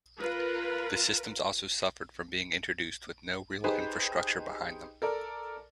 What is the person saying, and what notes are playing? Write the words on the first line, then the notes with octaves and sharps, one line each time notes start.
The systems also suffered from being introduced with no real infrastructure behind them.
F4 A#4 B4
D#4 G4 G#4 B4 C5
A4 A#4 D5